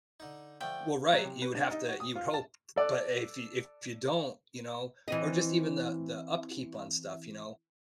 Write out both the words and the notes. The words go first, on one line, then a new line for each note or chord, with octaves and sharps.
Well, right, you would have to you would hope t but if you if you don't, you know, or just even the the upkeep on stuff, you know,
D3 D#4
D3 F3 A3 G5
F#3
C3
B4
D4
D#4
F#4
D#6
F4
A5
A4 D5 D6 F#6
E3 C4 D#5